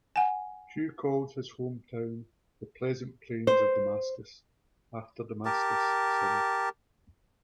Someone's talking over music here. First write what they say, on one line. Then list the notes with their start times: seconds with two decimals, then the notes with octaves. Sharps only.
Hughes called his town "The Pleasant Plains of Damascus" after Damascus, Syria.
0.16 F#5 G#5
3.47 C5
5.45 G4 A#4 A5